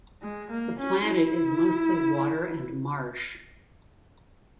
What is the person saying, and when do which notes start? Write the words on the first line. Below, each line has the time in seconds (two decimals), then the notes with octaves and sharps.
The planet is mostly water and marsh.
0.22 G#3
0.51 A#3
0.79 C#4
1.08 E4